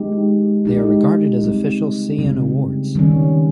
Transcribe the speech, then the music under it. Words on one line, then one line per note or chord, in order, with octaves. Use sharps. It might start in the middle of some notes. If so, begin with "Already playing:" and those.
They are regarded as official Seiun Awards.
Already playing: G#3 D#4 G4
G#3 D#4 G4
C#3 G3 C4
C#3 G3 C4
D#3 G3 C#4